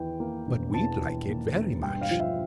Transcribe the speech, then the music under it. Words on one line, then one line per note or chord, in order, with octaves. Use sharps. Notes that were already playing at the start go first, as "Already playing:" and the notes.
But we'd like it very much.
Already playing: E2 E3 G5
A#3
E1
E2 A5
E3
A#3
E1
G2 G5
F5
F3
E5